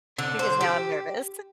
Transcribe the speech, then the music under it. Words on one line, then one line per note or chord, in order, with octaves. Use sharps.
Because now I'm nervous.
D3
C5
G4